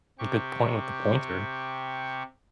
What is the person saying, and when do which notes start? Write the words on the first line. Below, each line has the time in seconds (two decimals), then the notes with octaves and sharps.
Good point with the pointer.
0.19 C3 G4 C#6